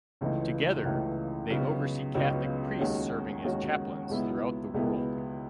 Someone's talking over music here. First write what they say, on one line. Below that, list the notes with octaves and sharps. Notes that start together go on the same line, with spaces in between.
Together, they oversee Catholic priests serving as chaplains throughout the world.
C#2 C#3 E3 A3 D#4
C#2 C#3 E3 A3 D#4
C#2 C#3 F#3 B3 D#4
C#2 C#3 F#3 B3 D#4
D#2 D#3 G#3 C#4 F#4
D#2 D#3 G#3 C#4 F#4
C#2 B2 G#3 B3 E4
C#2 B2 G#3 B3 E4